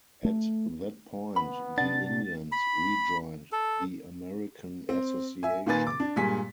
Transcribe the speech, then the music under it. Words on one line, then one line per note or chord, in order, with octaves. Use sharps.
At that point the Indians rejoined the American Association.
A3
B3 B5
C3 D4 F#5 A6
B5
A4
C4
E5 G#5
A#2 D#3 A#3 B4 G#5 A6
D6
D4
G2 A#2 G#3 G#5 B6